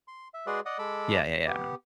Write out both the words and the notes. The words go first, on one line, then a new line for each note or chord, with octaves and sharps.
Yeah, yeah, yeah.
C6
E5
G#3 F#4 G#4 B4 D5 C6
D5 D#5 F#5 D#6
G#3 A4 B5 D6 E6
B3 G4